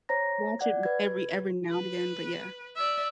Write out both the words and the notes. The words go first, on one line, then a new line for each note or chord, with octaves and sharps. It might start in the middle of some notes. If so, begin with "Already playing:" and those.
Watch it o every every now and again, but yeah.
C5 C#5 A#5 A#6
D5 F#5 G#6
B4 G#6
B4
D5 E5